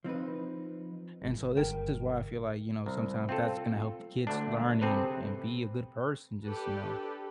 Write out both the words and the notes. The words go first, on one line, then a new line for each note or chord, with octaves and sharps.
and so this this is why I feel, like, you know, sometimes that's gonna help kids learn and and be a good person, just, you know,
F3 C4 D#4 B4
G#1 G#3
G1 A#4 G5
C2
C4 F4 A4
D2 A3 D4
C3 C4 G#4 A4 B4
D4 G4 A4 B4